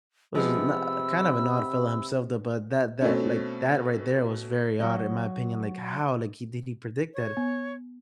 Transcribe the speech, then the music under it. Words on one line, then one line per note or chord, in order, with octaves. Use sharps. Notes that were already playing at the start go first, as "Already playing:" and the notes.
was no kind of an odd fellow himself, though, but that that like, that right there was very odd, in my opinion, like, how, like, he did he predict that?
C3 F3 G#3 B3 B5 E6
B2 A3 C4 C#4
F#3 D#5
C#5
B3